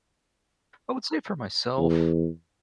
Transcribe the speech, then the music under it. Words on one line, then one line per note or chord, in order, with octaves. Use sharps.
I would say for myself,
E2